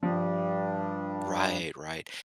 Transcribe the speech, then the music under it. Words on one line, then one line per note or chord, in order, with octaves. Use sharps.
Right, right.
G2 F3 G3 D4